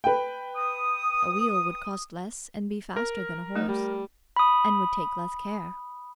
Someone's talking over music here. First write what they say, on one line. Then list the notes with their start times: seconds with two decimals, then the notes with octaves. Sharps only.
A wheel would cost less and be faster than a horse, and would take less care.
0.04 B4 G5
0.55 D#6
2.96 A#4
3.56 A3 D#4
3.68 G3
4.36 B5 D#6